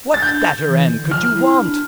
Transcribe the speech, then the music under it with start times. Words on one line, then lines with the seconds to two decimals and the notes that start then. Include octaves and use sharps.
What better end could you want?
0.14 A6
0.22 D4 G6
0.66 E3
0.90 D3
1.11 F3 F6
1.33 E4
1.56 D4